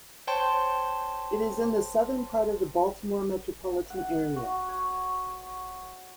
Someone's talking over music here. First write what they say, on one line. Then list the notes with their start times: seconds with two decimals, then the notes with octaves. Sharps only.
It is in the southern part of the Baltimore metropolitan area.
0.27 C5 C#5 G5 A5 C6
3.90 F#5
4.36 F#4
4.69 C#5